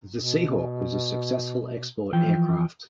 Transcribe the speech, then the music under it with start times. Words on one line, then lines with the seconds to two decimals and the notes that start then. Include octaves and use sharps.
The Sea Hawk was a successful export aircraft.
0.14 B2
2.13 E3 F3 G5